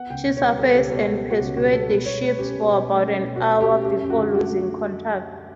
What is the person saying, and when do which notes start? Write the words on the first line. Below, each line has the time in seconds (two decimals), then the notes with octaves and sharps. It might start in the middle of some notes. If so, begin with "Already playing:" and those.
She surfaced and pursued the ships for about an hour before losing contact.
Already playing: B3 F#5
0.10 C#2 G5
0.26 B2 C#5
0.37 C#5
0.42 G3 B4
0.59 B3 A4
0.75 C#2 G4
0.87 A4
0.91 B2 G4
1.07 G3
1.24 B3
1.31 F#4
1.40 C#2 G4
1.56 B2 F#4
1.73 G3 A4
1.89 B2 B4
2.06 B2 C#5
2.21 A3 B4
2.39 C#4 G4
2.55 B2
2.71 B2
2.87 A3
3.04 C#4
3.20 B2
3.36 B2 F#4
3.53 A3
3.61 G4
3.70 C#4
3.85 C#4 G4
4.02 F#2
4.10 F#4
4.18 D3
4.34 A3 F#4